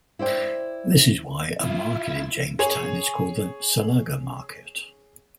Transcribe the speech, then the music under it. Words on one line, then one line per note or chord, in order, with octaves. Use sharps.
This is why a market in Jamestown is called the "Salaga Market".
E4 C5 D5 G5
E4 F4
G#4 C#5